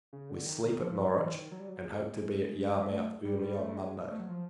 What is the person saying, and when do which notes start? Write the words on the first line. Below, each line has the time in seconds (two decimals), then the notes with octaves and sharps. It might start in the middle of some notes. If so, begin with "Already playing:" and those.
We sleep at Norwich, and hope to be at Yarmouth early on Monday.
0.13 C#3
0.29 D3
0.46 D#3
0.64 D#3
0.81 F3
0.99 F#3
1.17 E3
1.33 D#3
1.52 F#3
1.60 G3
1.69 F#3
1.85 G#3
1.94 A3
2.02 G#3
2.90 A3
3.25 G3
3.42 G3
3.59 A3
3.76 G#3
4.11 A3
4.19 F#3
4.29 F3